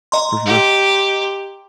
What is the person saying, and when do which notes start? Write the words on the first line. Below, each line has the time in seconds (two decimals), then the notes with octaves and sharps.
For sure.
0.12 D#5 A#5 C6
0.46 G4